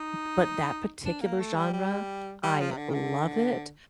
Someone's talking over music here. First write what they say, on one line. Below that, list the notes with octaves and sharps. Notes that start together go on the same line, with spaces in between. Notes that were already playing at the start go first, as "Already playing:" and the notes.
b but that particular genre, I love it,
Already playing: D#4
D4
A#3
A3
G3
G3
G3
F3
C3
D3
D#3
D3